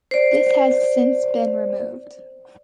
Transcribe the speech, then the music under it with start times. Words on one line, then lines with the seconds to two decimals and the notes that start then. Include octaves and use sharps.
This has since been removed.
0.11 C5 D5